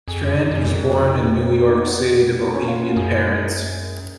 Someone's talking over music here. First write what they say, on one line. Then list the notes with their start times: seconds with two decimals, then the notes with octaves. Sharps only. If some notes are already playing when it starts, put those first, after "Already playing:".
Strand was born in New York City to Bohemian parents.
0.08 F2 G#4
0.23 F#2
0.51 F#2
0.57 G#3
0.65 F2 A#3
0.85 F#3
1.04 D#4
1.24 B3
1.39 A#3
1.52 B3
1.67 D#4
1.82 B3
2.39 B3
2.54 C#4
2.68 F4
2.83 F#4
2.92 A#4
2.96 F#2 G#4
3.26 A#4
3.55 G#4